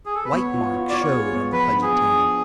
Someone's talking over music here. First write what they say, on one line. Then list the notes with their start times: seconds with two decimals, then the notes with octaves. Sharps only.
White marks showed on the pudgy tan.
0.06 G#4
0.15 A4
0.25 B4
0.34 B3 C#5
0.54 F4
0.74 F4
0.89 D5
0.93 F4 C#5
1.13 G#4
1.33 B3
1.53 F3 B4
1.72 D4
1.82 G#4
1.93 B3
2.12 D4